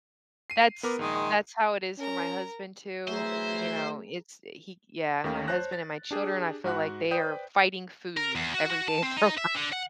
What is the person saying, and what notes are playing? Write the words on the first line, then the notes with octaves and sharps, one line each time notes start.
that's that's how it is for my husband too, you know, it's he yeah, my husband and my children, I feel like they are fighting food every day of their
C7 D#7
B3 A#4 D6
A#1 D#3 G#3
C#4 A#4 A#5
E3 F#3 A3 G#4 C5 E5 A#5
D#2 D#3 A3 C#4 F5 G5
C5 C#5 A5 F#6 A#6
A6
D4 G4 G#4
G#2 F#4 F#5 F#6
B4 C5 D5 G5 D#6 G6
A#4
E2
F#4
F#4
A5
C4
D#4
E5
D3
F#5